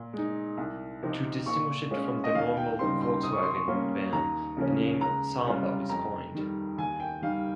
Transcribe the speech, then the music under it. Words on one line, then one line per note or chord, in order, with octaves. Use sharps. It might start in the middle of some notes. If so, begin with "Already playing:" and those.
To distinguish it from the normal Volkswagen van the name "Samba" was coined.
Already playing: A#2
G#3 D#4
C2
C3 F3 C4 D#4
A#2 C#6
G#3 C#4 F4
D#5
D#2 F5
G5
C#3 G3 C4 D#4 C6
C6
C3 D#6
C#6
C6
C#6
G3 A#3 C#4 F4
D#2 A#5
C#3 F3 A#3 C#4
C#2 A#5
C3 G3 C#4 F4
F2 A#5
D#3 G3
D#2 G#5
G5
D#3 G3 F5